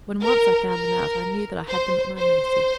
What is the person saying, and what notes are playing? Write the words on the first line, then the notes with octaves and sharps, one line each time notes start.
When once I found them out I knew that I had them at my mercy.
A#4
A#4
C5
C5